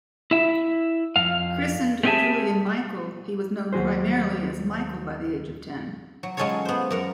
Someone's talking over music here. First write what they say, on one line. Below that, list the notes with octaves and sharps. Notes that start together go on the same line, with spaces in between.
Christened Julian Michael, he was known primarily as Michael by the age of ten.
E4 E5
F2 F5
A3 C4 G4 G#4 E5 A5
D#2 F#3 F#4 G#4 C5
F#3
F#3 G#3 C#4 F4 A4 C#5
B3 C5
F#2 A#4 F#5